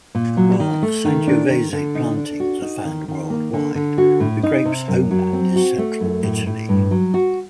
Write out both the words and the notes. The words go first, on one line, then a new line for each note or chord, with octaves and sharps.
While Sangiovese plantings are found worldwide, the grape's homeland is central Italy.
A#2
F#3
D#3
A3
D#3
D4
D#3
D3
D#4
D4
F#4
D#4
D#3
D#3
A#3
D3
D3
F#4
A2
D#4
C3
F#2
F#3
C4
F#4
A3
F#2
A2
A2
G2
F#3
F#4